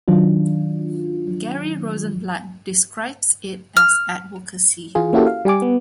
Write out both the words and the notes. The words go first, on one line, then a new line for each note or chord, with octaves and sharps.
Gary Rosenblatt describes it as "advocacy".
D#3 F#3 D4 F4
F6
E3 F4 G#4
A#3 C#4 E4 F#4 G4 A4
F5
G3 G4 G#5 D6
B3